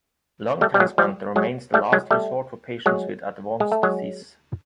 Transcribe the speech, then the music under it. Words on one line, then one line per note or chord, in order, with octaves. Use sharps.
Lung transplant remains the last resort for patients with advanced disease.
G3 A3
G3
F#3 G#3
F3 G3
F#3 G#3
G3 A3
F#3 G#3
G3 A3
F#3 G#3
G#3
A3
F#3 G#3